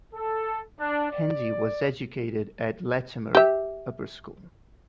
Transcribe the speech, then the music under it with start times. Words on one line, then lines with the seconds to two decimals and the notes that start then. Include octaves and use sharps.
Hendy was educated at Latymer Upper School.
0.14 A4
0.80 D4
1.10 D5
3.35 G4 E5